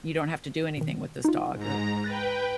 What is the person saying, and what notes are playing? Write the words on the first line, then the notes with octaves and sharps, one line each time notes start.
you don't have to do anything with this dog. Th
B2 D#3
D#4 F4
G#2 A#5
B4 G5 F#6 A6 A#6